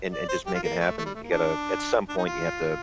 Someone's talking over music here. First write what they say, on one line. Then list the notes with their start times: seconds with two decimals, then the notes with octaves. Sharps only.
and and just make it happen. You gotta at some point, you have to
0.11 D5
0.28 C5
0.46 G4
0.54 F4
0.63 A#3
0.80 A3
0.97 A3
1.05 G3
1.14 A3
1.23 A#3
1.31 D4
2.08 D4
2.17 D#4
2.26 F4